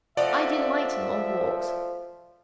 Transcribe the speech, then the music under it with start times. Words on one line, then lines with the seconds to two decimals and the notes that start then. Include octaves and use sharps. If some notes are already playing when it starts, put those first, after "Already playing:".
I delight in long walks.
0.17 F3 A3 D#4 F#4 D5 E5